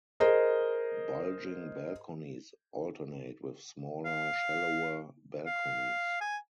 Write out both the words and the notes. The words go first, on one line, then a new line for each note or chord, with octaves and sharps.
Bulging balconies alternate with smaller, shallower balconies.
G#4 A#4 C5 D#5
F5
F5
G#5